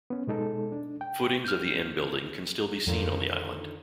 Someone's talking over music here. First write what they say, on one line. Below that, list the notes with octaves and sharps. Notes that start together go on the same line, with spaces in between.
Footings of the inn building can still be seen on the island.
B3 C#4
B2 G#3 D#4 A4
D4
G5
F6 G6
F2 D3 D#3 F4